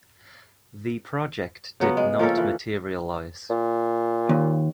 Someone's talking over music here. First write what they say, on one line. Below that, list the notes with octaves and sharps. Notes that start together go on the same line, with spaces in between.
The project did not materialise.
C#3 F#3 B3
G#3
F3 A#3 C#4 A4
E3
A#2
D#2